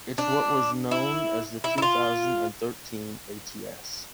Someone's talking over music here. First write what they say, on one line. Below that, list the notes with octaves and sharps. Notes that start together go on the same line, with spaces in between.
It’s what was known as the two thousand and thirteen ATS.
D4
E4
E4
E4
F4